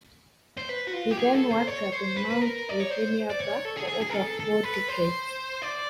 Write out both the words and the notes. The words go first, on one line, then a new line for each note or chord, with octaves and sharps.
He then worked at the Mount Lavinia bar for over four decades.
C5
B4
F#4
F4
G4
G#4
A4
C5
C#5
C5
B4
B4
A#4
D5
C#5
C5
D5
C#5
A4
G#4
G#4
G#4
A#4
A4
A4
B4
C5
D5